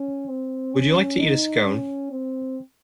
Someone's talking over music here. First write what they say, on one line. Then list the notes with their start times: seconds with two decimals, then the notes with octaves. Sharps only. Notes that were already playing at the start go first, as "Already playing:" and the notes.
Would you like to eat a Scone?
Already playing: C#4
0.29 C4
0.74 C#4
1.19 D#4
1.65 C#4
2.11 C4